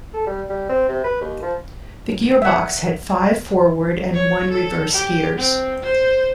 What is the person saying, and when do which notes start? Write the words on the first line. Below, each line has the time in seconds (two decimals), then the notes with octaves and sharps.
The gearbox had five forward and one reverse gears.
0.14 A4
0.27 G3
0.49 G3
0.69 C4
0.88 C3
1.04 B4
1.21 D#2
1.42 F3
2.42 E5 F#5
4.14 C#5
4.50 A4
4.91 G4
5.37 C4
5.83 C5